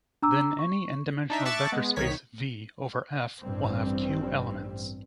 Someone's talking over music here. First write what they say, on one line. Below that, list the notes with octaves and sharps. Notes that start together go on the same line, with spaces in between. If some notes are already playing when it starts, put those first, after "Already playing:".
Then any "n"-dimensional vector space "V" over F will have "q" elements.
D4 A#5 D6 E6
C#6
D4 D#4 E5
E5 A5 C#6 D6 F#6 A6
G#3 B3
C2 D#3 C#5 B6
A1 G2 G3 C4